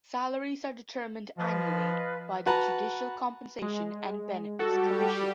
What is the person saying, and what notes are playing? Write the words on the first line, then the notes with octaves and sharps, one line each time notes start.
Salaries are determined annually by the Judicial Compensation and Benefits Commission.
F3 F4 B4 D#5
F#4 B4 A5 A#5
G#3
G3 F#4 G4 A4